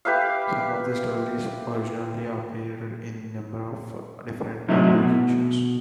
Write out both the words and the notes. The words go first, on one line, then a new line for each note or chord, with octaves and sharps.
Some of the stories originally appeared in a number of different publications.
G4 B4 E5 F5
G#2 C3 F#3 A3 D#4 E4
B2